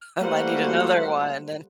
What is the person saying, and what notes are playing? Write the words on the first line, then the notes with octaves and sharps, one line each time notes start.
I might need another one then."
G3 A3 A#3 F#4 C5 F#5